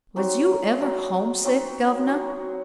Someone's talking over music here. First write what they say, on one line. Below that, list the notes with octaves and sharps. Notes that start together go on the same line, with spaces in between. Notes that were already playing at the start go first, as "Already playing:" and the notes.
Was you ever homesick, governor?'
F#3 C4 D#4 F#4
F#3 C4 D#4 F#4
F#3 C4 D#4 F#4
F#3 C4 D#4 F#4